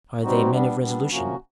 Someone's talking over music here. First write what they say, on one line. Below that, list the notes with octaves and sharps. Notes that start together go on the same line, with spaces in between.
"Are they men of resolution?"
B2 G3 C4 D#4 F#4
G3 B3 D4
G3 B3 D4
C3 F3 A#3 C#4 F#4